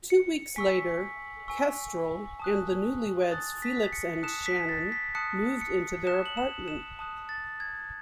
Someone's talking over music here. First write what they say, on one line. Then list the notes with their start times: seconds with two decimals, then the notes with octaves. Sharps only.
Two weeks later, Kestrel and the newlyweds Felix and Shannon moved into their apartment.
0.10 C#7
0.56 G#5 C#6 E6 B6
1.48 G#5 C#6 E6
2.40 A5 D#6 F#6
3.31 A5 D#6 F#6 A6
3.62 B6
3.93 C#7
4.23 A5 D#6 F#6 E7
4.46 B6
4.69 A6
4.92 B6
5.15 A5 D#6 F#6 C#7
5.61 C#7
6.07 A5 D#6 F#6 E7
6.26 F#7
6.37 E7
6.68 E7
6.99 A5 D#6 F#6
7.29 A6
7.60 G#6